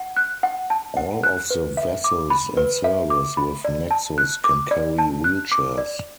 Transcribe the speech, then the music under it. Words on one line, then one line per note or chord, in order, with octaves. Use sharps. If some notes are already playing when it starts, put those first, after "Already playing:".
All of the vessels in service with Nexus can carry wheelchairs.
Already playing: F#5
F#6
F#5
A5
F#5
F#6
B4
E5
D6
B5
B4
E5
D6
B5
D5
A5
F#6
D6
D5
A5
F#6
D6
D5